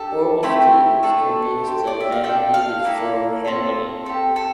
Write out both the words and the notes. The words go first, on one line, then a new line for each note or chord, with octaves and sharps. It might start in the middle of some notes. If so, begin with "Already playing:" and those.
Augustine was convinced that men needed firm handling.
Already playing: D4 G4 A4
A3 C4 E4 G4
A3 D4 A4
C4 G4
D5
E5
F5
D4 A4 G5
F5
A#3 E4 A4
C4 F4 A4
C4 G4 A4
A4